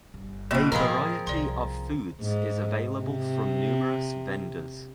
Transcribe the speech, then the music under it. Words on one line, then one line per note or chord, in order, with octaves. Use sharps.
A variety of foods is available from numerous vendors.
G1
B2 E3 A#3 C4
A2 F3 F4 G#4 A#4 D#5 F5 B5
C2 D5 C6
G#2
C3